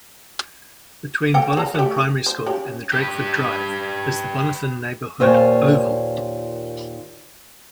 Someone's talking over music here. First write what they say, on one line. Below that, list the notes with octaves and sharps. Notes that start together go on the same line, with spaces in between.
Between Bonython Primary School and Drakeford Drive is the Bonython Neighbourhood oval.
A4 G5 A#5
G#4 A#4 A#5
A3 G4
C5
C#3 G4 B5
G4 B4
D#2 A#2 F4 C5 C#5 G#5